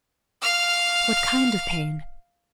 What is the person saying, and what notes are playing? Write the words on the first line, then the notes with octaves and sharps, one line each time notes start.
What kind of pain?
F5 F6